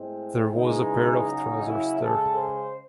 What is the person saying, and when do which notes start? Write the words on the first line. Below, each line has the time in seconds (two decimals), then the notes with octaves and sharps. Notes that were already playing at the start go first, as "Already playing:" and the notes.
There was a pair of trousers there.
Already playing: A2 G#3 C4
0.55 C#3 E3 G#3 D#4
1.27 C#3 F#3
1.63 E4
1.99 C#3 G#3 A4
2.35 C5